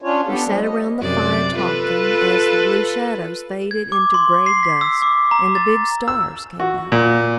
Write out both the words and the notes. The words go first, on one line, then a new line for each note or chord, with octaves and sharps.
We sat around the fire talking as the blue shadows faded into gray dusk and the big stars came out.
C#4 D4 F4 C#5
B3 D4 G4 A4
F3 G3
D#5
F#2 C3 D5
F4 A4 B4
G#6
D6
C6
C7
B6
E6
D6
A#5
A6
E6
F#4
A#2